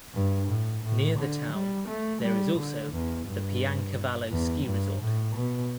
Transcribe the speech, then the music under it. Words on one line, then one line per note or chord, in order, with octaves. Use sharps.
Near the town there is also the Piancavallo ski resort.
G2
A2
A2
D3
G3
A3
G3
D3
E2
G2
E2
G2
A2
B2